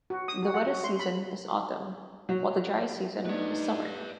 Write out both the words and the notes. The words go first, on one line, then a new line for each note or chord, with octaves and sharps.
The wettest season is Autumn, while the driest season is Summer.
F#4
D#6
F#4
F#5
F#4
C6
B5
F#3
A3 B3 D4 D#4 B4 D5